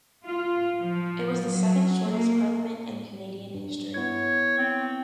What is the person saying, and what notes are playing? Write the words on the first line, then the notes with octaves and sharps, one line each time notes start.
It was the second shortest parliament in Canadian history.
F4
F3
F#3
A#3
G2
B3 E4 C#5 G#6
C4